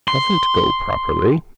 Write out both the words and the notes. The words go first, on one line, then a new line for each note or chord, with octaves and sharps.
Doesn't go properly.
C6